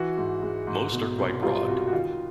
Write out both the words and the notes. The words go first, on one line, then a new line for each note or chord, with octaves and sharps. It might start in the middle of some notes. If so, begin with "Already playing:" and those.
Most are quite broad.
Already playing: E3 F#4
G#2
G#3
G#2
B2
C2
G3 F4
C2 F#4
F#4
D#3 F4